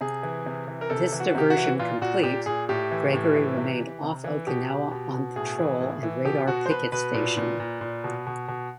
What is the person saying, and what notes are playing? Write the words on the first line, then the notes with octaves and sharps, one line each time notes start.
This diversion complete, "Gregory" remained off Okinawa on patrol and radar picket station.
C3 G#4
E3
C3
E3
A#4
C3 A4
E3
F#4
C3 G4
F#4
E3
A#2 F4
A#2 F#4
A#2 G4
A#2 G#4
A2 G4
E3
A2
E3
C3
E3
C3
E3
B2 G4
B2
B2
B2
A2 G#4
E3
A2
E3
B2 G4
B2 F#4
C5
B2 B4
B2 B4
A#2
A#2
A#2
A#2
B2
B2
B2